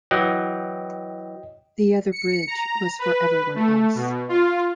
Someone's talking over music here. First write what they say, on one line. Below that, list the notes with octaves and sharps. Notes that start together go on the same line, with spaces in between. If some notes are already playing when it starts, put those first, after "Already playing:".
The other bridge was for everyone else.
E3 F#3 D#5 G5
C#7
A#5
B4
A3
B2
F4